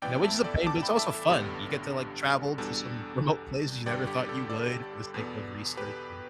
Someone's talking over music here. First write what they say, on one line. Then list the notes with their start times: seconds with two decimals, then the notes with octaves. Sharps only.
you know, which is a pain, but it's also fun, you get to, like, travel to some remote places you never thought you would for the sake of research and
0.02 A1 G2 E3 B3 E4 D5 G5
0.24 E5 A5
0.44 A4 D5
0.66 A5 D6
0.83 G5 B5
0.98 E5 A5
1.14 A4
1.30 A1 G2 D3 B3 D4 G4
2.58 E2 B2 G3 D4 A4
3.86 G1 G2 D3 G3 D5 G5
4.07 G4
4.29 A4
4.50 A4 D5
5.14 E2 B2 B3
5.77 G4 B4